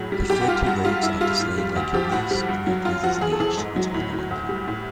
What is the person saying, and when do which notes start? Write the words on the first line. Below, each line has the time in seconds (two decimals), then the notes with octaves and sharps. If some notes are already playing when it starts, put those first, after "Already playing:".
He fled to Rhodes after slaying Licymnius, Heracles' aged maternal uncle.
Already playing: A2 F#3 G#4
0.12 G3
0.30 F#2 G4
0.41 F#4
0.48 G3 F4
0.66 G2 F#4
0.84 G3 F4
1.03 G2 E4
1.21 G3 F4
1.40 A2
1.58 G3
1.76 D2
1.94 F3 G4
2.12 A2 F#4
2.31 G3
2.49 G2
2.67 F#3
2.85 F#2 F4
3.03 F3 F#4
3.21 E2 G#4
3.32 A4
3.40 E3 G#4
3.57 G#2
3.76 F#3
3.94 A2
4.13 A2
4.31 D2
4.49 G3
4.68 A2